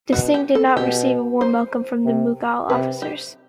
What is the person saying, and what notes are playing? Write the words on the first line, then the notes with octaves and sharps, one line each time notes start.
Desingh did not receive a warm welcome from the Mughal officers.
B2 F#4
G4
A4
B2 G4
C5
C3
C3 B4
G4